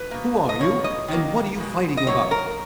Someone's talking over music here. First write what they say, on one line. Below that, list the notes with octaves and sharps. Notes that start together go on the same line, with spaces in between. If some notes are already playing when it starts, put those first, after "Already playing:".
"Who are you? and what are you fighting about?"
Already playing: B4
B2 A#3
D#5
B2 A#3 C#5
D#5
D#3 F#3 A#3
B2 G#3
D#5
D#3 F#3 A#3 C#5
A#4